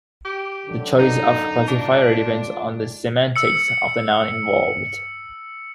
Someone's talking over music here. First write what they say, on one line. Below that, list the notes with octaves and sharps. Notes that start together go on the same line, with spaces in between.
The choice of classifier depends on the semantics of the noun involved.
G4
F#2 D3
D#4
G#3 D4 F4
E6 C#7